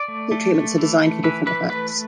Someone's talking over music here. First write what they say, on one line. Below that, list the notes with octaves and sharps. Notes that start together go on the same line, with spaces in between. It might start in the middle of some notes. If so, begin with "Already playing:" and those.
Heat treatments are designed for different effects.
Already playing: D5
A3
A3
A3
E3
A3
E3 B4
E3 B4
A3 B4